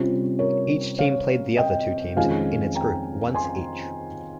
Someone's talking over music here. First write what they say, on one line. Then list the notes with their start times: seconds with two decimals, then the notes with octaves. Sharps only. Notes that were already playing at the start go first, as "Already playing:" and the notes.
Each team played the other two teams in its group once each.
Already playing: C3 G3 C#4 F4 C5
0.39 A#4 C#5
0.99 C#5 F5
1.57 D#5 G5
2.16 F2 D#3 G#3 C#4 F4 F5 G#5
2.75 G5 A#5
3.35 G#5 C6